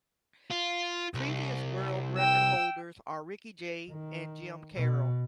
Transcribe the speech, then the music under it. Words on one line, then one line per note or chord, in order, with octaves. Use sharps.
Previous world record holders are Ricky Jay and Jim Karol.
F4
C2
G5 E6
D#3
B2